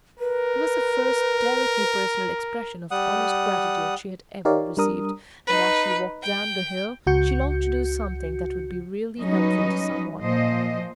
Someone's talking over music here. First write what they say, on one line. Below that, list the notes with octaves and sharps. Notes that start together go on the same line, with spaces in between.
It was the first directly personal expression of honest gratitude she had ever received; and as she walked down the hill, she longed to do something that would be really helpful to some one.
A#4 B4
G3 F#5 D#6
D#4 G4 A#4 C#5 D5 F5
G3 D4 A#4 D#6
D#4 B4
G5
C#2 F#4 G6 C#7
F#3 G3 C#4 D#4 B4 D#5
A#2 F3 C5 D#5